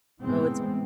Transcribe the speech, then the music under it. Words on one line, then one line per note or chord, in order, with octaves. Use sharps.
Oh, it's
A2 C3 E3 G#3 B3 C4